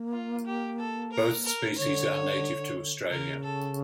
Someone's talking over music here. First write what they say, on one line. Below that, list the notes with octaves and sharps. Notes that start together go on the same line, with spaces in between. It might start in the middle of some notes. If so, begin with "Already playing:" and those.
Both species are native to Australia.
Already playing: A#3
F4
G4
A4
A#4
A#4
D3 C#5
C#3 A#4
A4